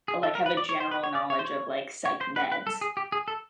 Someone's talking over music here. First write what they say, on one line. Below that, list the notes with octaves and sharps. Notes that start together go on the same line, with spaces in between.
like have a general knowledge of like psych meds
G#4
A4
A#4
B4
D5
C#5
C5
B4
C#5
D5
C#5
C5
C#5
C#5
C5
B4
B4
A4
G#4
G4
G#4
A4